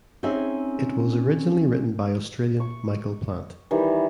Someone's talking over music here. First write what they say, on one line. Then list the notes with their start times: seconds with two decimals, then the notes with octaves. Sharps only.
It was originally written by Australian Michael Plant.
0.23 C4 C#4 D#4 G#4 E5
2.60 C#6
3.71 D#3 E3 G3